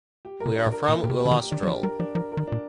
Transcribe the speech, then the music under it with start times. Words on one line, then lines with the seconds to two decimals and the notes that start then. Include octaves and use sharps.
We are from Ullastrell.
0.25 G4
0.40 A#4
0.46 C3
0.56 D4
0.66 A#2
0.72 A#4
0.88 A#2 A#3
1.04 A#2 G4
1.10 C3
1.20 G4
1.25 D3
1.31 D#3
1.37 G4
1.51 D#3 D4
1.63 G3
1.67 F3 G4
1.83 G3 A#4
1.99 F3 D4
2.15 F3 A#4
2.32 A#4
2.37 D#3
2.47 A#2 D4